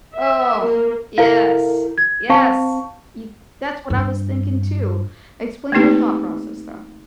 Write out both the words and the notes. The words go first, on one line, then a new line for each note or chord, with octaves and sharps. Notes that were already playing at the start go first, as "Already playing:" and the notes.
Oh, yes. Yes. You that's what I was thinking too. Explain your thought process, though.
E5
A#3
E4 A4 A#4 F5
G#6
C4 F5 A5 C#6
G2
A3 A#3 C4 D#4 G4 B4